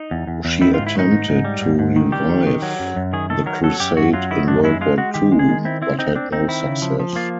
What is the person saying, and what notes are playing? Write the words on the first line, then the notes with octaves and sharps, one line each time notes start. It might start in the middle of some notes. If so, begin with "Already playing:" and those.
She attempted to revive the crusade in World War Two, but had no success.
Already playing: D#4
E2
E2
E2
D#3 E4
F4
G#2
E4
D#3 D#4
G#2
G#2
G3
G#2
G#2
D#3
G3 G4
D#3
D#3
F#3
F#2
F#2
D#3 G#4
D#3 A4
F#3 A#4
F#3 A4
F#2 G4
F#2 F#4
F#3 F4
D#3 E4
F#2 D4
G#3 E4
G#3 F4
G#3 F#4
D#3 G4
G#3
G#4
D#3
C4 E4
C4 E4
C4 D#4
C4 D4
C4 D#4
D#3 E4
C#3
F3
F3
A#3 F4